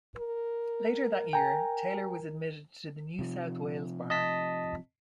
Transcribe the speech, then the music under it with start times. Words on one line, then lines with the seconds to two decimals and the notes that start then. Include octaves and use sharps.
Later that year, Taylor was admitted to the New South Wales Bar.
0.17 A#4
1.33 G5 G#5 A#5
3.19 C3 F3
4.10 D#5 A5 B6